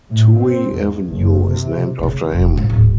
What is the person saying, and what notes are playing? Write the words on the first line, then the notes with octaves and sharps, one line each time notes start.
Touhy Avenue is named after him.
A2
C4
E2
F#1
C3
C#3 A3
F1
C#2 A2
D1 G#2